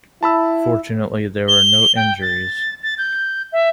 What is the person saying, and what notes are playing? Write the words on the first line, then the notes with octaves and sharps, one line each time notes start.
Fortunately, there were no injuries.
E4 A5 B5 E6
G7
G5
A6
A6
G6
E5